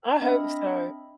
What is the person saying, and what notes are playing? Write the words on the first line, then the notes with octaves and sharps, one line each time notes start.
I hope so.
C4 D4 D#5 E5 B5